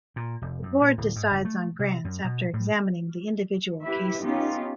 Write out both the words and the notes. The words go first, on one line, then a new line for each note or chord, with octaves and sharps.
The Board decides on grants after examining the individual cases.
A#2
F1
F#2
A#2
D1
G#2
F#1
A3
C3
F#2
B2
A2
E4 G4 B4 E5
B3 C#4 D#4 F4 G4